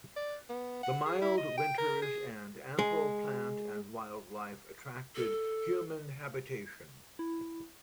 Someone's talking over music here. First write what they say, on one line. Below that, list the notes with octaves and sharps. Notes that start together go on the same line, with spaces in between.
The mild winters, and ample plant and wildlife attracted human habitation.
D5
B3
F#5
G#4
E4
D#5
G5
A#4
G#4
G#3
A4
E4